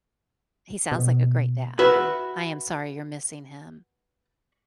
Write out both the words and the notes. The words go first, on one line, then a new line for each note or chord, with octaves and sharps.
He sounds like a great dad, I'm I am sorry you're missing him,
B2
F#4 B4 E5